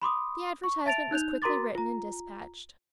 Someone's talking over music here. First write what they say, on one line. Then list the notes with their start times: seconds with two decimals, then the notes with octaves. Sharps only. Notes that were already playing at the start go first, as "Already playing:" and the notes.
The advertisement was quickly written and despatched.
0.02 B5 C6 D6 D#6
0.64 C#6
0.86 E5 A5 A6 D7 F7
1.11 D#4 F#6 G6 F7
1.42 F#4 A#4 A#5 C6 D6 A6
1.75 F4 A#5